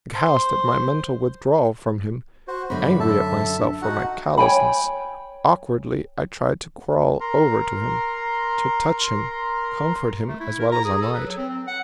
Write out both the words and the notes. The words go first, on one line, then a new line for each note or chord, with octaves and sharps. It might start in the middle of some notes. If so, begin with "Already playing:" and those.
Aghast at my mental withdrawal from him, angry at myself for my callousness, awkwardly I tried to crawl over to him, to touch him, comfort him as well as I might.
C5
F#4 C5
F#2 D3 B5
A4 E5 A5
D#4 F#4 F#5
C#5 G5 G#5 B5
A#4 A#5 C6
A3
E4
A#4
A#5
G#4
A4
B4
F#3
C4
C4
F#5